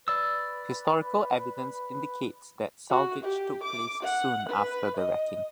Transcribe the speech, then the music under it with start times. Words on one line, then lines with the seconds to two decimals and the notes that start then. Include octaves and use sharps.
Historical evidence indicates that salvage took place soon after the wrecking.
0.08 B4 D5 E6
2.90 F#4
3.23 G4
3.63 D6
4.03 F#5
4.49 B4
4.97 D#5